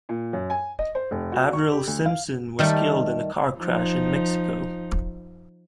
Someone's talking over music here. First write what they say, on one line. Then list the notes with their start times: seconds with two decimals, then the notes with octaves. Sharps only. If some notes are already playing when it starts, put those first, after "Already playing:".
Avril Simpson was killed in a car crash in Mexico.
0.09 A#2
0.33 F#2
0.50 G#5
0.79 D#5
0.95 C5
1.11 F1
1.32 F#4
1.53 C#6
1.72 G4
1.87 D2
2.06 F5
2.59 D#3 G3 A3
3.59 F3 D#4